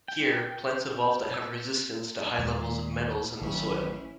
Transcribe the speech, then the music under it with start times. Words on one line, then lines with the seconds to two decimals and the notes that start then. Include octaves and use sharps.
Here, plants evolve that have resistance to high levels of metals in the soil.
0.08 G5
1.34 E6
2.38 D#2 A#2 D#3 G#3
3.41 A1 D#3 F#3 C#4 E4